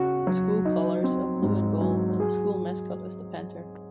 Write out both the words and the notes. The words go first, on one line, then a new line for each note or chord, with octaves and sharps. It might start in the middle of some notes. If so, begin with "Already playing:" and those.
The school colors are blue and gold, and the school mascot is the Panther.
Already playing: C#3 F#4
F#3
D#4
C4
G#2
F#3
G#4